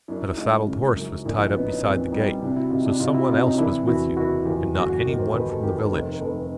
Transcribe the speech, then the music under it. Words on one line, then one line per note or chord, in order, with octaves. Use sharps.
But a saddled horse was tied up beside the gate. So some one else was with you, and not any one from the village.
F#2 D4 E4
G#3 D#4 F4
C#3
F#2
A#1 D4 E4
D#4 F4
B3 C#4 D#4
C#4 D#4
A#2 C4 D4
G3 C#4 D#4
C3 D4 E4
E4 F#4
C3 D#4 F4
D4 E4
C3 D#4 F4
E4 F#4
C3 D#4 F4
C#4 D#4
E3 D4 E4
E2 E4 F#4
F#1 E4 F#4
E2 F4 G4
G1 F#4 G#4
F#4 G#4
D#3
A#4 C5
D#3 A4 B4
G4 A4
D#3 F4 G4
A4 B4
F1 A#4 C5
A#4
F1 A4 B4